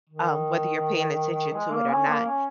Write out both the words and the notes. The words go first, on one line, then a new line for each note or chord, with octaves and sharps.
um, whether you're paying attention to it or not.
D#3
G#3
A#3
C#4
A#3
C#4